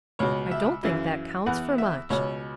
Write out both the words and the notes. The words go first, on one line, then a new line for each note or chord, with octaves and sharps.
I don't think that counts for much.
C#2 B2 C#5
E5
F#2 C#3 E3
E2 E3 F#5
E5
C#2 B2 C#5